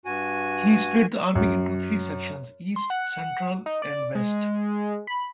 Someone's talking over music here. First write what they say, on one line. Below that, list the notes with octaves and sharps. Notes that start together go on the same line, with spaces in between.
He split the army into three sections - East, Central and West.
G2 F#4 G#5
F#2
C6
F#5
D#4
D5
G#3
B5